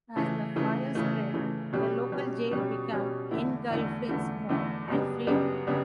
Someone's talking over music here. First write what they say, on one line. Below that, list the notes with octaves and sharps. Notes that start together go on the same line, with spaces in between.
As the fire spread, the local jail became engulfed in smoke and flame.
C#3 E3 A3
C#3 E3 A3
C#3 E3 A3
C#3 E3 A3
B2 G3 C#4
B2 G3 C#4
B2 G3 C#4
B2 G3 C#4
E2 D3 A3 E4
E2 D3 A3 E4
E2 D3 A3 E4
E2 D3 A3 E4
F#2 C#3 G3 B3 D4
F#2 C#3 G3 B3 D4
C#3 G3 B3 D4